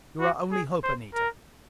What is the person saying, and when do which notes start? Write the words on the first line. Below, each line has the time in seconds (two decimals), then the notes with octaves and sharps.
You're our only hope, Anita!
0.20 F#4
0.52 G#4
0.84 C5
1.14 A#4